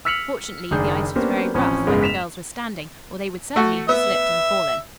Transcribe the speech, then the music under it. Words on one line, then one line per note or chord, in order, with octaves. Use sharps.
Fortunately the ice was very rough where the girls were standing, or they would certainly have slipped and fallen.
E6 F6 B6 C#7 F7 F#7
F#1 D#3 D4 G#4 G6
A#3 B3 C#4 D4 G4 C5
A1 F3 C4 C#4 G#5
F#1 G#2 C#3 G#3 B3
B6 E7 F7
A3 F#4
B3 E5